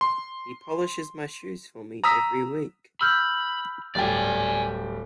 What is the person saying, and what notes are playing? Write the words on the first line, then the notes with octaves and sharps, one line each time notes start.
He polishes my shoes for me every week.
C6
A#5 D#6 E6 B6
B5 E6 F6 G6
D1 G3 D5 G5 G#5